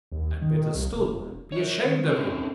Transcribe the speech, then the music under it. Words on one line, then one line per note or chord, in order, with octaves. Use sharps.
And better still: be ashamed of him!
D#2
D#3
C2
E1
A#4 C#5
D#3
C4 C#4 D#4 A4 A#4 C5